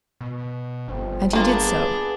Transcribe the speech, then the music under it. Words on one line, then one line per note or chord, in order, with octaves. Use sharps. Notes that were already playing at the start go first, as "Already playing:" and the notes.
And he did so.
B2
G1 F3 C4
A#3 B3 D4 F4 G#4